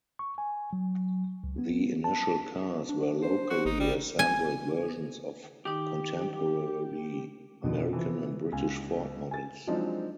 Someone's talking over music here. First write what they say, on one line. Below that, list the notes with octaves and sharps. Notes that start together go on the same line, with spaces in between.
The initial cars were locally assembled versions of contemporary American and British Ford models.
C#6
G#5
F#3
C#2
B3
A5
D4
C5
F#4
G#1 D#4
G3
G#5
D#3 D#4 G4
F2 B2 D3
C3 E3 F3
C#2 G#5
G#5 A6
F3 F#3 G#3 C4 D4 D#4